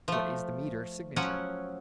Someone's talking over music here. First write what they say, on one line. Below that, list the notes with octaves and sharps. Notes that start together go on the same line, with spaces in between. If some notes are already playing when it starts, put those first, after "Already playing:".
"What is the meter-signature?"
F3 A3
F3 F#3 C#4 F#5